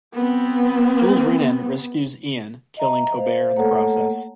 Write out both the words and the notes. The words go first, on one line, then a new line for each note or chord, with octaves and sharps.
Jules Renan rescues Ian, killing Colbert in the process.
B3 C4
D#5 E5 A#5
C5 E5 F5
A3 A#3 A4 C#5 F#5